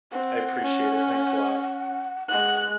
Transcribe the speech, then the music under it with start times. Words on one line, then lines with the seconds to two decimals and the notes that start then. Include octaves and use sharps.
I appreciate it, thanks a lot.
0.12 C4 F#5
0.62 C#4
2.29 G#3 F#5 F#6